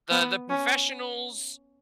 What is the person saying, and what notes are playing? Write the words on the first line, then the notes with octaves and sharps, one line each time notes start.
The the professionals,
B3
C#4